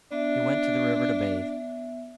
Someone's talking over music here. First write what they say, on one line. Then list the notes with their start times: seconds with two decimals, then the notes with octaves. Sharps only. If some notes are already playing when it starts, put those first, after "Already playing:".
He went to the river to bathe.
0.12 B3 D4 E5